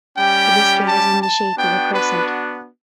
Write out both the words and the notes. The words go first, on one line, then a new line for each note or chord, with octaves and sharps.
The biscuit was in the shape of a crescent.
G3 C#4 G4 G5
A5
A5
B3 D4 F#4 G5
B4